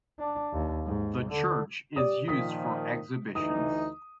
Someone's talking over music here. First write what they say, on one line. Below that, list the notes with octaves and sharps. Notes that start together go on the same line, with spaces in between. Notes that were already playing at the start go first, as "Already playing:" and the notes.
The church is used for exhibitions.
D4
D#2
G#2
D3
G4 D5 D#6
A#2 D#3 F3 D#6 B6
D2 E3 D#4 D#6